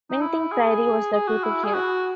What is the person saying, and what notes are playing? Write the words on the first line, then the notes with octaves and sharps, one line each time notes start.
Minting Priory was located here.
D#4
E4
G#4
G#4
F#4
E4
G#4
F#4